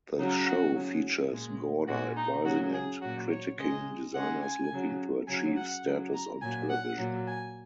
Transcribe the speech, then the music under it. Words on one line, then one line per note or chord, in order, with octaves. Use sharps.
The show features Gorder advising and critiquing designers looking to achieve status on television.
C#3 F#3 D#4
F#4
C#3 F#3
A#2 G#3
A#2 G#3 F#4
D#4
C#3 F#3 F#4
G#4
A#2 F#3 F#4
C#5
C#3 G#3 D#5
C#3 G#3 F#5
G#5
C#3 F#3
C#3 F#3 G#5
F#5
C#3 F#3
A#5
A#2 F#3 G#5
F#5
A#2 F#3
G#5